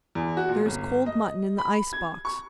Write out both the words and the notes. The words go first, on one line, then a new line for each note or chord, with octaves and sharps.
There is cold mutton in the ice box.
E2
F#4
A#2
G1
D#5
B5
G#6
C#6